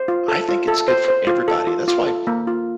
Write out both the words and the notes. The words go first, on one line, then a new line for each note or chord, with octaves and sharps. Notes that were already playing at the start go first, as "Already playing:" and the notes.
I think it's good for everybody. That's why
Already playing: C5
F4
A4
F4
A4
C5
C5
F4
A4
F4
F4
A4
A#3
F4